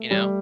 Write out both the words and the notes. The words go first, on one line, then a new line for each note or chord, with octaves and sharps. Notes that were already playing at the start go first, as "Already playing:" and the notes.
you know?
Already playing: A3
G3